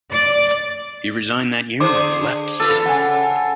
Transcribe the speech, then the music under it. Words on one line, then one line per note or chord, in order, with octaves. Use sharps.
He resigned that year and left Salem.
D5
D3 G#4 C5 D6
F4 A4 B4
F2 C#3 F#5 G#5